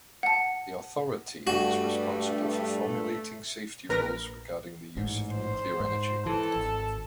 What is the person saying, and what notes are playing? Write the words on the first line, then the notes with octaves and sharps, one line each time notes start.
The authority is responsible for formulating safety rules regarding the use of nuclear energy.
F#5 A5
G2 A3 F#4
A#1 A#4 B4 A#6
A1 G#2
C5
G#2
E3 A4
G#1